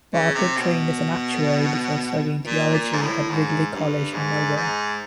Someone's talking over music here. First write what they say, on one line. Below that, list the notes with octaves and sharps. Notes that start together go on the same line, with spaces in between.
Barker trained as an actuary before studying theology at Ridley College in Melbourne.
C#3
C3
B2
A#2
A#2
G#2
A2
G#2
G2
G#2
G#2